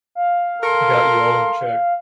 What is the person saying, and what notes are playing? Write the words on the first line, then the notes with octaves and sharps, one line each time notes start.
Got You All in Check.
F5
A4 A#4 C6